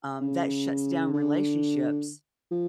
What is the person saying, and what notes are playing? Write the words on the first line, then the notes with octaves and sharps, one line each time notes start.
Um, that shuts down relationships
C#3
D3
F3